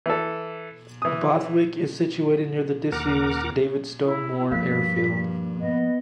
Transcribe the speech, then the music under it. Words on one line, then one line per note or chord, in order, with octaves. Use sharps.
Bowithick is situated near the disused Davidstow Moor airfield.
E3 A4
E3 D#6
D#2 A#4 F#5 A#5 D6
E4
G2 F3 A#3 B6
B3 D#5